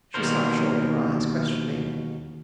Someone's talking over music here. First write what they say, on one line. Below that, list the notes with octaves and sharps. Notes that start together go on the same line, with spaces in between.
She stopped short, her eyes questioning.
D#2 B2 A#4 C5